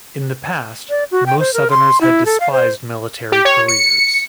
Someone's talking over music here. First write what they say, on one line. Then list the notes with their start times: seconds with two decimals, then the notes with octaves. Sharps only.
In the past most Southerners had despised military careers.
0.90 D5
1.11 F#4
1.26 G5
1.39 C5
1.54 A#4
1.70 C6
2.01 E4
2.26 A4
2.40 F5
2.52 C5
3.32 G4
3.45 C#5
3.68 C#7